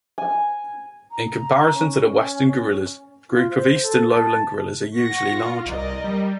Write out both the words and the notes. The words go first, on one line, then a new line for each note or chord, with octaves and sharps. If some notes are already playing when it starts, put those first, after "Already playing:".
In comparison to the Western Gorillas, groups of eastern lowland gorillas are usually larger.
G#5
A#5
C#4
F4
C5
A4
A5
F#5 C#6 A#6
F4
C2 A#4 D5 D#5
G3